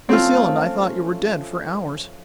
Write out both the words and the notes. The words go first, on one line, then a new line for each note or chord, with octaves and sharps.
Lucille and I thought you were dead for hours.
F3 A3 C4 C#4 F4